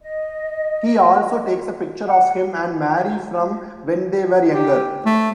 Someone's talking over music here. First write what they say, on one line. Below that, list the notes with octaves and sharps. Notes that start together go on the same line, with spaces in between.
He also takes a picture of him and Marie from when they were younger.
D#5
F#5
G4
A3